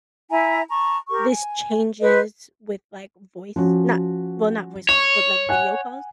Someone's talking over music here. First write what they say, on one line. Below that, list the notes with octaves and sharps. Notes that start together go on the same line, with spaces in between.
this changes with, like, voice not well, not voice calls, but, like, video calls?
E4 E5 G#5 A#5
A5 A#5 C#6
G4 A#4 C#6
G#5
B4 C5 D#5
F3 C#4 F#4
C#5 C#6 E7
F#5 G#5 F#6